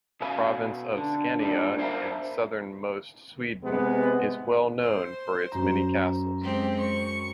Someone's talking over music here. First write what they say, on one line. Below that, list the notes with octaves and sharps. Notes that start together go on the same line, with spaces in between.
The province of Scania in southernmost Sweden is well known for its many castles.
B2 E5 F5 G#5 B5
D3
A#2 G3 D4
A#4 C5 E5 F5 A#5 B5
C3 G#3 B3
C5
F#2 A#5
G#3 C4 G4
C#6